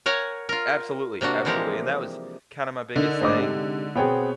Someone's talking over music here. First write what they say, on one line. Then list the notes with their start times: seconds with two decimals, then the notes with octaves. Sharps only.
Absolutely, absolutely, and that was kinda my biggest thing,
0.06 A#4 C#5 F#5 G#5
0.49 F4 A#4
1.21 C3 A#3 D4 F#4
1.45 C3 E3 F3 G#3 G4 A#4
2.96 D3 D#4 A#4
3.21 A1 G#2 C5 D#5 D6
3.37 C3 G#3 D#4
3.95 B2 B3 C4 G#4 C#5 G5